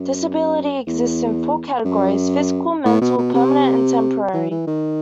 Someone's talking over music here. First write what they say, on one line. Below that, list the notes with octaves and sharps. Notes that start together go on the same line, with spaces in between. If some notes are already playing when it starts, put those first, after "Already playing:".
Disability exists in four categories: physical, mental, permanent and temporary.
Already playing: F#2
E2
F#2
A2
B2
B2
C3
E3
E3
D#3